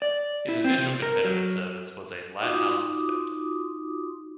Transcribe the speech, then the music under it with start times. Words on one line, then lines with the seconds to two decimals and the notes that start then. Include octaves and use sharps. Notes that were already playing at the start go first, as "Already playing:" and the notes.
His initial Confederate service was as a lighthouse inspector.
0.02 D5
0.48 E4
0.64 C4
0.78 C3
1.02 A#4
1.24 F#3
2.42 D#4 F4 F#4 C6 D6 D#6